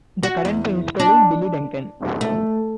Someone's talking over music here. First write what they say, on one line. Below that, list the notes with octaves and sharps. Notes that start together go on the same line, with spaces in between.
The current principal is Billy Duncan.
F#4
E2
D4
A3